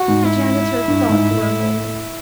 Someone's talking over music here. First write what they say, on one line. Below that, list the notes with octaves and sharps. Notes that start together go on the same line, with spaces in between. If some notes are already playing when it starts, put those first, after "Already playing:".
The janitor thought for a moment.
Already playing: F#4
G#2
E4
G2
G#2
A2